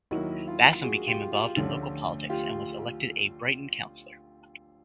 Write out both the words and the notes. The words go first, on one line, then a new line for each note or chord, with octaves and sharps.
Bassam became involved in local politics and was elected a Brighton councillor.
D#2 D#3 F#3 E4 F#4
F4
F#4 G#4
F4 G4
F4 G4
D2 D3 F3 A3 C#4
F4 G4